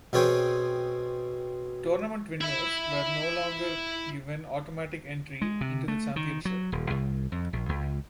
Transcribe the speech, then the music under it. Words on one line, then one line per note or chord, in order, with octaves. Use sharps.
Tournament winners were no longer given automatic entry into the championship.
B2 B3 C4 G#4 C#5 G5
E4 E5
G#3
C3
A3
D#3
F#3
D#1
C2
F2
A#1
C#2